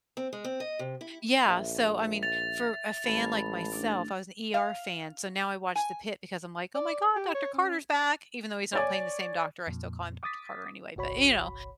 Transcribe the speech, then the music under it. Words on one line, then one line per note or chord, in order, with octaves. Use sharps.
Yeah, so, I mean, for a fan like myself, I was an ER fan, so now I watch the Pit because I'm, like, "Oh my God, Doctor Carter's back," even though he's not playing the same doctor, I still call him Doctor Carter anyway, but, you know,
C4
G#3
C4
D#5
C3
E4
A#1 E5
A6 F7
A1 G#3 A5 B5
A3 D4 D6
F5
G#5
D5
G4
C#5
C#4
C#5 D5 G#5
F2 A#2
D6 D#6 A6 B6
G1 C2 F#4 C#5 B5